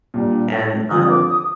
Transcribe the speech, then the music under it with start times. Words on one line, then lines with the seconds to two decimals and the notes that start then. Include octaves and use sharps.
and I
0.14 A#2 G3 D4
0.90 D3 F3 C4 F4 D#6
1.10 D6
1.29 D#6